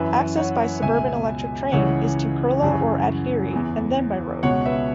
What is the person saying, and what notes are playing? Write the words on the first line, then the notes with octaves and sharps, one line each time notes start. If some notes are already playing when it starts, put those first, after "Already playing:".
Access by suburban electric train is to Kurla or Andheri and then by road.
Already playing: F#2 E3 B4 E5
C#5 F#5
C#2 B2 E5 G#5
C#2 C#3 E3 C#5 F#5
F#2 C#3 E3
E2 E3
C#2 B2 C#5 F#5
B4 E5